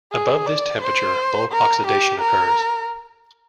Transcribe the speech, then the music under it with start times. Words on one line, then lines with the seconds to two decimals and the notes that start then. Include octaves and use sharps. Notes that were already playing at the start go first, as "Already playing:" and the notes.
Above this temperature bulk oxidation occurs.
0.12 G#4
0.46 D5
0.81 C5
1.52 A#4
1.87 G4
2.21 A#4